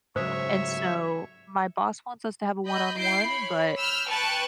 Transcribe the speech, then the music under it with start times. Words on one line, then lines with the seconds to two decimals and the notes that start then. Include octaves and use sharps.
And so my boss wants us to have a one on one, but
0.16 G#2 C#3 F#3 C5 C#5 E5 D#6
2.67 D#5 B5 G6
2.98 E4 G6 C7 D7
3.28 C#5 B5
3.78 B5 E6 F6 G6
4.09 B4 G5 A5 C#6 F#6